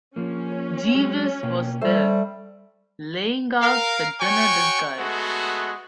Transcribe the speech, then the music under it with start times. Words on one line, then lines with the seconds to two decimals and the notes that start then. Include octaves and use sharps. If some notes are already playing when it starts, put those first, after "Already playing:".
Jeeves was there, laying out the dinner disguise.
0.16 F3 A#3 C#4
0.52 C#5
0.94 F#3 G#3
1.43 B2 A#3 G5
1.81 G3 A3 C5
3.61 A#4 F5
4.20 F#4 C#5 G5 G#5 C#6
4.98 G#3 A3 B3 F#4